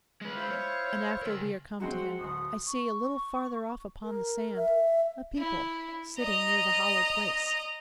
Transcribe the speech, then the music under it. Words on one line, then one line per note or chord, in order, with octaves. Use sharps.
And after we are come to him, I see A little farther off upon the sand A people sitting near the hollow place.
G#3 B4
E4 F4 C5
C#5
C#3 A#4 E6
F#3 G#3 C4 F#4
D1 C6 D#6
C#6
A#4
E5
E4
D#5 A#5